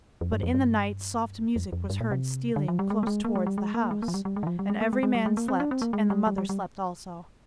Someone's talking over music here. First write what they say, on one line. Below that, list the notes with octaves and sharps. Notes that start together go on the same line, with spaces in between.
But in the night soft music was heard stealing close towards the house, and every man slept, and the mother slept also.
F2
G2
F2
G2
F2
F2
G2
A#2
C3
D3
F3
G3
G#3
A#3
G#3
A#3
G#3
G3
G#3
A#3
G#3
A#3
F3
G3
G3
G#3
D#3
F3
G3
G#3
A#3
G#3
G#3
G3
G#3
A#3
C4
D4
C4
A#3
G#3
G3
G3
G3
G3